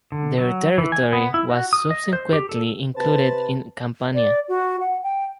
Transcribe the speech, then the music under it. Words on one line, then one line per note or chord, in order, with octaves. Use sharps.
Their territory was subsequently included in Campania.
D3
F#3
E3
G#5
B3
E4
F#4
D#6
D#5
C5
G4
A4
C3 B4 C5 A5
D5
F#4
F#5
G5